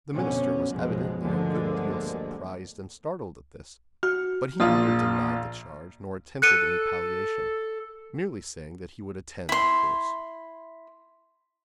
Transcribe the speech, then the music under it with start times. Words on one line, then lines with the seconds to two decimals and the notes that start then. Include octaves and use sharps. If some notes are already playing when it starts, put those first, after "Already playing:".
The minister was evidently a good deal surprised and startled at this, but he neither denied the charge nor attempted any palliation, merely saying that he would attend, of course.
0.12 F2 B2 D3 C#4
0.69 B1 F#2 B2 F3 G#3
1.22 G1 D2 D3 F3 G#3 A#3
4.03 F#4 F6
4.60 A#1 A#3 F4 D#6
6.42 A4 F#6 C#7 D#7
9.49 E4 C6